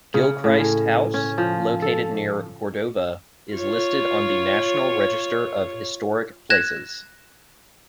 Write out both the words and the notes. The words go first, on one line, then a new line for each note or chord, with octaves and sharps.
Gilchrist House, located near Cordova, is listed on the National Register of Historic Places.
C#3
A2
C#4
C#4
F3
A4
F4 C#5
F#6 G#6 A#6 E7